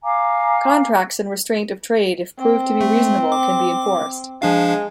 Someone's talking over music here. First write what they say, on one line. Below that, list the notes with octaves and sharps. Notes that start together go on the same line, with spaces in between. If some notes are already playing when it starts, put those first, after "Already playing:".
Contracts in restraint of trade if proved to be reasonable can be enforced.
F5 G#5 A#5 D6
C4
A3
D6
F3 G#3 D4 F5